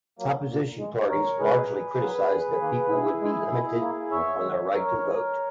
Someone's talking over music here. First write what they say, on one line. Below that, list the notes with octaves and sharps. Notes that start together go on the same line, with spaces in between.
Opposition parties largely criticised that people would be limited on their right to vote.
F#3 A#3
A#2
G#3
E2 A#4 C#5
C#3 G#3 G#4 B4
A#2
F#3 A#3
E2
D#3 A#3
B2 E4 G#4
G#3
B2
A#3
E2 C#5 E5
D#3 G#3
F#2 A#4 C#5
E3 G#3